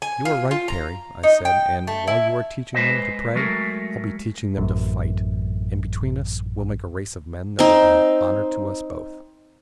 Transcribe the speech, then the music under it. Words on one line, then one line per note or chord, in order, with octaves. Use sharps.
"You are right, Perry," I said, "and while you are teaching them to pray I'll be teaching them to fight, and between us we'll make a race of men that will be an honor to us both."
G#5
F4
F4
A#5
D#4
G5
A3
E4
G#3 B4 C5 D#5
F#3 G#3 A3 A#4
A1 F#2
C4 D#4